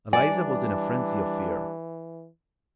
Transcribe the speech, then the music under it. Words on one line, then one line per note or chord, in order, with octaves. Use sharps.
Eliza was in a frenzy of fear.
E3 G3 D4 D5 G#5